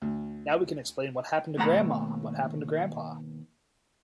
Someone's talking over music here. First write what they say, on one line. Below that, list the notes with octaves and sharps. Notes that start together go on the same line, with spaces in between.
Now we can explain what happened to Grandma, what happened to Grandpa.
D2
D#2 B2 A3 F#5 A#5 B5